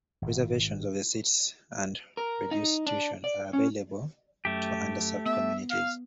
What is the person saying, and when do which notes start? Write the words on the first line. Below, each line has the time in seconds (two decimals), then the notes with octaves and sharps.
Reservations of seats and reduced tuition are available to underserved communities.
0.22 G#1
2.17 A#4
2.51 D#4
2.86 D4
3.24 D5
3.53 C#4
4.45 F#2 A3 G4
5.26 B3 E5
5.70 F5